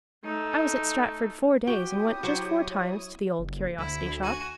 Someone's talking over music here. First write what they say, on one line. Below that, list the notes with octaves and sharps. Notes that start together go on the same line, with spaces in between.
I was at Stratford four days and went just four times to the old curiosity-shop.
A3 D#4
E4 F#4 G4 C#5 G5 D#6
F#3 C5
F#1
D2 E4
F#4 G#5